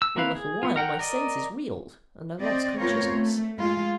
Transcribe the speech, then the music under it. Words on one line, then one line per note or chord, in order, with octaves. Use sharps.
In a little while my senses reeled and I lost consciousness.
E6
A#3 C4 E4 B4 F5
G#4
B3 F4
A#4 F#5 G5
A#4 D5 D#5
C4 D5 D#5
A3 B3 C4 F4 A#4 C#5
A3
G#3 F4